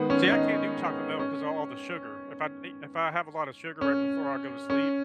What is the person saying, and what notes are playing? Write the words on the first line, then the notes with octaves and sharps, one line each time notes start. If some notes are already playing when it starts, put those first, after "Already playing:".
See, I can't do chocolate milk 'cause of a all the sugar, if I e if I have a lot of sugar right before I go to sleep,
Already playing: D#3 G#3 B3
C#4
D#4
C#4
C#4
C#4